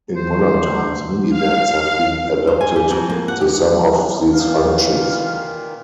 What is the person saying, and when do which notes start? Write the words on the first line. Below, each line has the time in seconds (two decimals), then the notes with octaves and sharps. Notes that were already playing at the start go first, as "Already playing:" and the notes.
In modern times minivans have been adapted to some of these functions.
0.16 E2 C5
1.30 F5
2.47 C5
2.61 G#5
2.76 G4
2.90 F2
3.10 A#3
3.28 F#5
3.41 G4
4.34 A#2 D#3 E3 F5